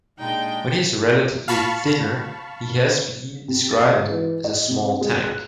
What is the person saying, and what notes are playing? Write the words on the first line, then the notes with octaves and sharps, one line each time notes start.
When he is relatively thinner, he has been described as "a small tank".
A#2 G3 G#3 D4 D#4 G5
F5 A5 B5 C#6
C3
A6
G#2
E3
D#5
C3
G#3
F#6